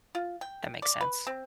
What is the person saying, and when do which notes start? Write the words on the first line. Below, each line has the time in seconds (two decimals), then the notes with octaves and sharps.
That makes sense.
0.15 F4
0.41 G5
0.82 D5
1.01 B4
1.27 C4